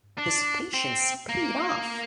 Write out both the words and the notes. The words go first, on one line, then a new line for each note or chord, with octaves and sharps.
His patience paid off.
D4
C4
A#3